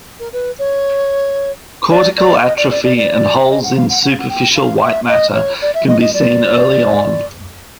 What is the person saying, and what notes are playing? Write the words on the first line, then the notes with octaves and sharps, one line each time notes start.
Cortical atrophy and holes in superficial white matter can be seen early on.
A#4
B4
C#5
D5
D5
D#5
D5
D5
D5
D5
E5
D#5
F#5
F5
F#5
F#5
F5
F#5
G5
F5
E5
D#5
C#5
D5
E5
D#5
D#5
D5